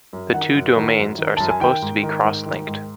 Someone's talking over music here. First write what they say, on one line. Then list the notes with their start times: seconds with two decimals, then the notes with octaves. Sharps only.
The two domains are supposed to be cross-linked.
0.13 F#2
0.34 D#3 F#5
0.55 F#2
0.77 D#3
0.98 F#2
1.19 D#3
1.37 F#2 A5
1.49 G#5
1.61 D#3 G5
1.82 G#2
2.03 D#3
2.25 G#2
2.46 D#3
2.67 G#2